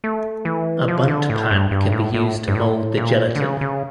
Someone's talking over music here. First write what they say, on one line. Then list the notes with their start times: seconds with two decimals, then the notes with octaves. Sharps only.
A bundt pan can be used to mold the gelatin.
0.04 A3
0.45 E3
0.88 F3
1.08 D3
1.30 A2
1.50 G2
1.71 G2
1.92 A2
2.14 A2
2.48 G2
2.55 A2
2.97 A#2
3.36 D3
3.40 C#3
3.61 C#3